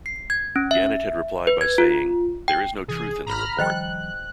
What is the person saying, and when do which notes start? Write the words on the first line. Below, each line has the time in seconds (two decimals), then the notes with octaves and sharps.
Gannett had replied by saying: There is no truth in the report.
0.06 C7
0.30 G#6
0.56 C#4
0.71 E5
1.47 B4
1.61 G#6
1.78 F4
2.48 G5
2.88 C3 E3 G#4
3.26 G#1 A#5 B5 F6
3.58 D#3 F3 G3 C5 D#5 G5 F#6